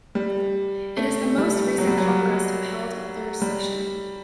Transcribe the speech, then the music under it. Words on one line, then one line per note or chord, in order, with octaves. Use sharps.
It is the most recent Congress to have held a third session.
G3
A3
G3
F#3
G3
F#3
G3